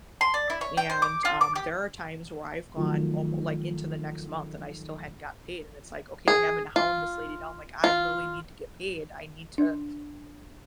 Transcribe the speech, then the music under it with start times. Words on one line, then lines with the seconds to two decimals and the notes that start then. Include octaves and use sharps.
and, um, there are times where I've gone almo like, into the next month, and I still hadn't gotten paid, and it's like, "Okay," having to hound this lady down, like, "I really need to get paid. I need to,
0.21 C6
0.34 D5
0.50 E4
0.61 C#5
0.77 G5
0.90 C5
1.02 D6
1.25 F4
1.41 D6
1.55 G4
2.76 D#3 F3 F#3 A3
6.28 G#4
6.76 F4
7.84 F4
9.58 D4